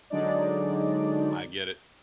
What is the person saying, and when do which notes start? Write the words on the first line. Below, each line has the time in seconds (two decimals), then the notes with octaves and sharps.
I get it
0.10 D3 F#3 G#3 D4 D#4 D5